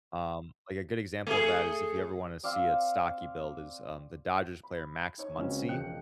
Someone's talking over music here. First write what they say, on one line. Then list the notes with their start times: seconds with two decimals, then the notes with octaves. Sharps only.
Um, like, a good example of that is if you ever wanna see a stocky build is, um, the Dodgers player Max Muncy.
1.27 A3 G#4
2.43 C4 D5 F5 E6
4.63 B5
5.18 D#4 C#5
5.37 C#2 C4 C#4 F#4
5.69 E1 F3 D#5 G5 F#6 C#7